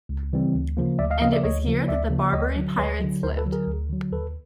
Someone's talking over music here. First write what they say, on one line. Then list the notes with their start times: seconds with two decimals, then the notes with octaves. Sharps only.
And it was here that the Barbary pirates lived.
0.09 C#2
0.33 C#3 E3 G3 C4
0.55 D2
0.77 C#3 F3 A#3
0.99 D2 D5 E5
1.10 D#5 F5
1.21 C#3 F3 A#3 D#5 F5
1.33 D5 E5
1.43 D2 C#5 D#5
1.66 C#3 F3 A#3
1.88 D2 D5 E5
2.11 C#3 F3 A#3
2.33 D2 C#5 D#5
2.56 D3 F#3
2.78 D2 B4 C#5
3.00 D3 F#3
3.23 D2 A#4 C5
3.37 A4 B4
3.45 D3 F#3
3.52 G#4 A#4
3.67 D2
3.89 D3 F#3
4.12 D#2 A4 B4